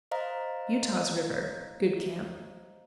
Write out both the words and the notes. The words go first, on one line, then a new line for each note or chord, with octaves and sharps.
Utah's River.--Good camp.
C5 D#5 F5 A#5